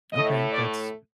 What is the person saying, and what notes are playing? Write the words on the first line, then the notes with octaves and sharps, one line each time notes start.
Okay, that's
A2 A3 D#5
D5